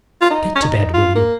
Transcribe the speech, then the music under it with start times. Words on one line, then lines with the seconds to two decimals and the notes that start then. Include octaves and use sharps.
Get to bed, will you?
0.21 F4
0.30 D#4
0.55 C#4
0.62 D#4
0.94 F4
1.15 A#3